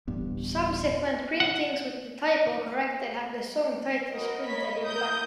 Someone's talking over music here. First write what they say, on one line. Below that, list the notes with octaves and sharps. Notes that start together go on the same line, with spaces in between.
Subsequent printings with the typo corrected have the song titles printed in black.
D1 A1 G2 B3
F#5
F#4 A#4 B4 D#5
A#3 C#5 D#5 B5 B6
E4 A#4 D#6 G6